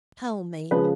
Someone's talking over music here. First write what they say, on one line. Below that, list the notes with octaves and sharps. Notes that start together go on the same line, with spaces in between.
"Tell me!"
C#3 F3 G#3 B4